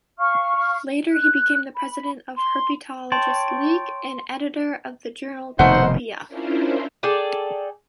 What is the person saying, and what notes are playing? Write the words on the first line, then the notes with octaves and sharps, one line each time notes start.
Later he became president of Herpetologists' League and an editor of the journal "Copeia".
F5 C#6 F6
F#6
B5
C6
C#5 G5 A5 C6
F1 B2 D#3 A3 D#4 C5 F#5
C#4 D4 E4 F4 A#4 C5
G#4 A4 D5 G5